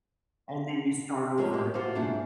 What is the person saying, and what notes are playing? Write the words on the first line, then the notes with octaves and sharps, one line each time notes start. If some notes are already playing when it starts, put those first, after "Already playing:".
and then you start over again.
F3 G#3 A#4 C5 C#5
A2 A#3 G4
F4 F#4 C5 D5
G#2 D4 E4